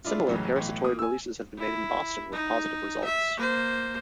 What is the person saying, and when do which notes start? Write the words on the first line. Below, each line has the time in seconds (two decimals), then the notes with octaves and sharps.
Similar parasitoid releases have been made in Boston with positive results.
0.05 G#3 D4 E4 F4
0.28 F#2 A2 C#3 E3 F#3 G#3
0.56 B1 A2 E3
0.84 A#3 D#6
0.99 G#5 E6
1.59 E4
2.33 D#4
3.05 E5
3.38 A#3 C5